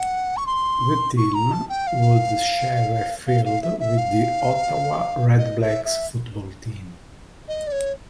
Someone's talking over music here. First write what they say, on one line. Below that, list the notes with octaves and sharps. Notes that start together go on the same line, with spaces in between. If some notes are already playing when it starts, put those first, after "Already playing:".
The team would share a field with the Ottawa Redblacks football team.
Already playing: F#5
C#6
C6
C#6
A#5
A5
G5
F5
F5
F5
E5
E5
F5
D#5
E5
E5
D#5
D5
C#5